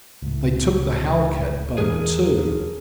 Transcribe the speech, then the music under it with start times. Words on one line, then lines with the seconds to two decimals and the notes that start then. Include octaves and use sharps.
They took the halkett boat too.
0.22 C#2 A2
1.78 E2 E3 G#4 A#4